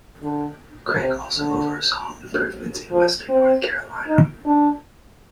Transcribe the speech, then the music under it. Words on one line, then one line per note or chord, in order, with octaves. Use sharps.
Craig also oversaw improvements in western North Carolina.
D3
C3
D3
F3
C4
D#4
D4